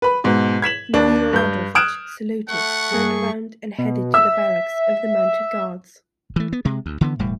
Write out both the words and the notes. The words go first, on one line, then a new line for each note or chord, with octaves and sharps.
Miloradovich saluted, turned around, and headed to the barracks of the Mounted Guards.
B4 B5
G#2 B2
G#6 B6 E7 F#7
D#2 D4
G2 G6
D#6 F6 F#6 G#6 D7 E7
A3 F#5 C#6
G2 G#4
B2
E5 E6
E3 A3
B3
C3 G#3
D2
D3 E3 B3
E1 A2 G3